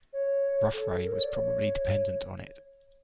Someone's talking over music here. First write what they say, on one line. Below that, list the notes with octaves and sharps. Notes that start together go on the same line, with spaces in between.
Rufrae was probably dependent on it.
C#5
A4
A#4
C#5
D5
C#5